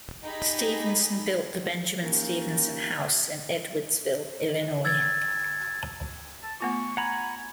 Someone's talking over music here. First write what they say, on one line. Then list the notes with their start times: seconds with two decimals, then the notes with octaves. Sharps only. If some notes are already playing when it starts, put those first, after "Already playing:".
Stephenson built the Benjamin Stephenson House in Edwardsville, Illinois.
0.23 D#4 G4 G#4 B5
2.02 A#3 C#4 D#4 G4 A#4
4.85 E6 G#6 A6
6.43 A5
6.60 A3 B3 F4 C#6
6.97 F#5 G#5 A#5 B5